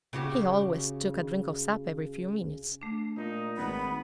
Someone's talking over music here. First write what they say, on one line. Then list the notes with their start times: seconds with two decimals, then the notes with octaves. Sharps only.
He always took a drink of sap every few minutes.
0.13 C#3 F#4 G4
2.81 A3 D4
3.17 A#2 D#4
3.57 G#1 B3 B5